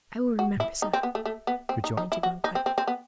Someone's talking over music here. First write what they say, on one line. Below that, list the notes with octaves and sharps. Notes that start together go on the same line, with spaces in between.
"I will remember, sir," rejoined Yvonne quietly.
F#4
E4
D#4
C4
B3
A3
A3
B3
C4
D#4
D#4
E4
F#4
D#4
C4
C4
C4
B3